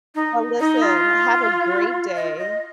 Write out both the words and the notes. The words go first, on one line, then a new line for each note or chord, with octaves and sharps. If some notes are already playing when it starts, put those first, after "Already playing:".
Well, listen, have a great day.
D#4
D#4
F4
D#5
D#5